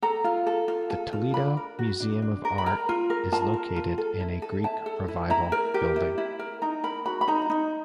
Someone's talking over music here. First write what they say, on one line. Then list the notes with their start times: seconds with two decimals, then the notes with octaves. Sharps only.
The Toledo Museum of Art is located in a Greek Revival building.
0.02 A4 A#5
0.24 F4
0.47 A4
0.68 F4
0.90 A4
1.13 F4
1.34 D4 B5
1.57 A#4
1.79 F#4
2.00 D4
2.22 D4
2.45 A#4
2.58 B5
2.66 A#4 A#5
2.89 F4
3.10 A#4
3.32 F4 A5
3.54 A#4
3.76 F4
3.98 A4
4.20 E4
4.42 A4
4.64 E4 A5
4.86 A4
5.08 E4
5.30 E4 A#5
5.52 A#4
5.74 G4
5.96 E4
6.18 E4
6.39 A#4
6.62 D#4 A#5
6.83 A#4 B5
7.06 F#4 B5
7.21 B5
7.28 D#4 A#5
7.50 D#4